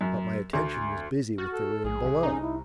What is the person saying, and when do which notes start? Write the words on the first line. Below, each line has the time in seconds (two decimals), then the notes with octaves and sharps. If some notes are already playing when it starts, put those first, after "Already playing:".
But my attention was busy with the room below.
0.01 F#2
0.53 D2
1.38 F#4 F6 G6 A6
1.53 A4
1.84 A#1 G#4
2.04 C2 B6
2.23 C#4 D#4 A#5
2.41 E4